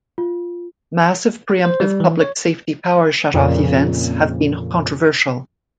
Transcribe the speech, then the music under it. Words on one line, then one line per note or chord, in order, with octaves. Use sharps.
Massive preemptive public safety power shutoff events have been controversial.
F4
C5
G3
E3
C#5
F2 A#2 C#3